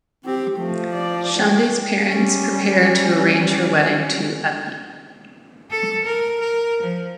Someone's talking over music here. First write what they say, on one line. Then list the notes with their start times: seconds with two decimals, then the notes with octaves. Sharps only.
Chandni's parents prepare to arrange her wedding to Amit.
0.25 C4 G4
0.58 F3 A3
0.94 D5
1.39 A3 G5
2.06 G3 C#4
5.71 A4
6.05 A#4
6.40 A#4
6.82 F3